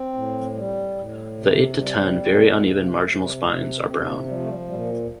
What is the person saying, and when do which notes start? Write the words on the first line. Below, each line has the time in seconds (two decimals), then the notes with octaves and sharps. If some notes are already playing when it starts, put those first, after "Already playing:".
The eight to ten very uneven marginal spines are brown.
Already playing: C4
0.14 A2
0.56 G3
0.96 A2
1.37 C3
1.80 G3
2.21 C3 C4
2.55 A#3
2.61 C3 A3
2.82 A#3
2.97 G3
3.03 C3 A3
3.24 G3
3.44 C3 A3
3.86 C3 C4
4.07 A#3
4.28 F3 G3
4.40 A3
4.48 G3
4.69 A#2 G3